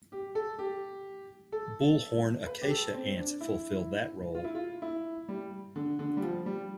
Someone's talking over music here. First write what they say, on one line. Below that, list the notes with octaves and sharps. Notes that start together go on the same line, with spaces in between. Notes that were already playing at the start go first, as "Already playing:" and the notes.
Bullhorn acacia ants fulfil that role.
G4
A4
G4
A4
B4
G4
A4
C4
D4
E4
F4
E4
F4
E4
G3
D3
D3
G3
F3
G3